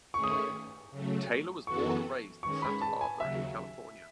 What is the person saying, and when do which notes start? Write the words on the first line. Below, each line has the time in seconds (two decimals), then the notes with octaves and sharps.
Taylor was born and raised in Santa Barbara, California.
0.14 D#3 A3 C#4 G#4 C#6
0.24 D#6
0.31 C#6
0.91 C#3 F#3 A3
1.67 F#2 E3 B3 F#4 A4 C#6
2.43 D#3 G#3 C#4 G#4 C#6
2.62 B5
2.81 A5
3.01 G#5
3.20 D#2 C#3 F#3 E5